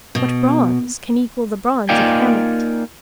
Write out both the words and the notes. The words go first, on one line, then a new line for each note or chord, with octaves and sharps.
What bronze can equal the bronze of "Hamlet"?
B2
A#3 D#4 F4 D5 G5 G#5